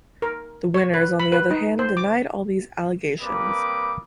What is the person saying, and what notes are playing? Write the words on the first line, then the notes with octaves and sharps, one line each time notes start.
The winners, on the other hand, denied all these allegations.
A#4
C#5
B4
B5
B4
D#4
C5
D6
G3 A#3 C4 B4 D6 D#6